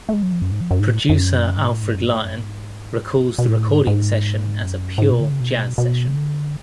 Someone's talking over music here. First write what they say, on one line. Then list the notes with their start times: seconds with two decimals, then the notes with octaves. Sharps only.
Producer Alfred Lion recalls the recording session as a "pure" jazz session.
0.09 A3
0.13 G#3
0.23 F#3
0.32 F3
0.42 F#2
0.51 G#2
0.61 F3
0.71 F#2
0.80 G#2
0.89 A2
1.09 F#2
1.57 G#2
1.70 A2
1.83 G#2
1.95 F#2
2.05 G#2
2.14 A2
2.25 F#2
2.34 G#2
3.10 F#2
3.20 G#2
3.38 B2
3.48 A2
3.68 G#2
3.87 G#2
4.63 F#2
4.98 A2
5.01 G#2
5.12 B2
5.20 D3
5.31 C#3
5.40 B2
5.78 B2
6.08 C#3
6.16 D3